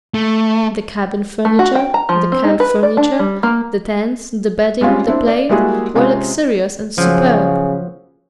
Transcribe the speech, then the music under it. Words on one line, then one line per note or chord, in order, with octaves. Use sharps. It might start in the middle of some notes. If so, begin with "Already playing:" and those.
The cabin furniture, the camp furniture, the tents, the bedding, the plate, were luxurious and superb.
A3
A3
F#4
G5
A#5
F3
C4
D#4
B4
D5
D4
G3
A#3
G3 G#3 C#4 F4
C4 D4 E4
D5
G3 G#3 A#3 E4 F#4 G#4
C3 G#3 C#4 F4
C#3 F3 F#3